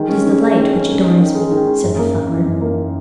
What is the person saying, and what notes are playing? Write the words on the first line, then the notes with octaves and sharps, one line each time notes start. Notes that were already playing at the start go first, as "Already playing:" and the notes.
"It is the light which adorns me," said the flower.
Already playing: D#3 G#3
C#4
D#3
G#3
D#3
C#4
D#3
D#4
D#3
G#3
D#3
D#4
F#2
A#3
F#2
E3
F#2
A#3